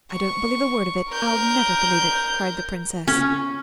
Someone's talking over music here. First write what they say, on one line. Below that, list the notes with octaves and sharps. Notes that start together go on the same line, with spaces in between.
"I don't believe a word of it,--I'll never believe it," cried the Princess.
C#6
A#4 G6
C#4